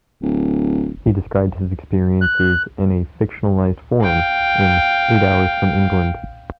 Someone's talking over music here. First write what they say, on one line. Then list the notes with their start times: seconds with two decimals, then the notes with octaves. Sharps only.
He described his experiences in a fictionalised form in "Eight Hours from England".
0.22 D1
2.21 F#6
4.02 F5 G5